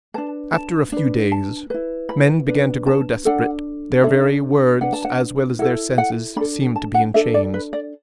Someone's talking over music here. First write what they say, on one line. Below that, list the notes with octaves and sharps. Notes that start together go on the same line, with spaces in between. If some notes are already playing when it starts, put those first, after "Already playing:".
After a few days, men began to grow desperate; their very words as well as their senses seemed to be in chains.
D4 B4 A5
A5
D4 B4
A5
E4 B4
B5
D4 B4
A5
D4 A4 F#5
D4 A4 E5
D4 B4 F#5
A5
F#5
E4 A4 F#5
F#5
D4 A4 B5
A5
F#5
D4 A4 E5
D5
B4
D5